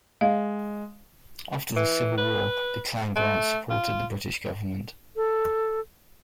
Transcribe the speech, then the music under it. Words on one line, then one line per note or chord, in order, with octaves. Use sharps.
After the Civil War the Clan Grant supported the British government.
G#3 F5
E3
B4
A3
F4
A4